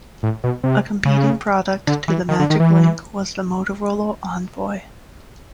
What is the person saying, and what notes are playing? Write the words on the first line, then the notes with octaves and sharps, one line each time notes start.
A competing product to the Magic Link was the Motorola Envoy.
A2
B2
C3
C#3
D3
E3
D#3
D3
D#3
E3